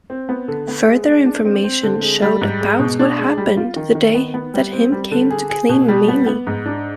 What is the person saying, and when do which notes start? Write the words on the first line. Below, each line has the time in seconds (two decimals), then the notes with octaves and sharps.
Further information showed about what happened the day that Him came to claim Mimi.
0.10 C4
0.29 B3
0.48 D3
0.68 B3
0.87 G#3
1.06 G#3
1.25 D4
1.45 C4
1.64 C4
1.83 D3
2.03 G#3
2.22 G3
2.41 G#2
2.61 G#3
2.80 B2
2.99 D4
3.18 G#3
3.38 G3
3.57 F4
3.76 D#3
3.95 D#3
4.15 B3
4.34 B3
4.54 G3
4.73 C4
4.92 G3
5.11 D3
5.30 G#4
5.50 G#4
5.69 B2
5.88 G3
6.08 B3
6.27 B3
6.47 G#2
6.66 D4